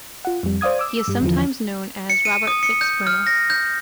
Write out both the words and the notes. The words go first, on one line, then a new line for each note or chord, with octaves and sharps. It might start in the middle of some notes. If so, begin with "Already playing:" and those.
He is sometimes known as Robert FitzPernel.
F4 F#5
F2 G3
C5 D5 F5 D#6 G#6
D6 E6
G2 G3
E2 D3 E3 F3
C#7
D#7
D#6
C#7
G6
F6
A#6
G6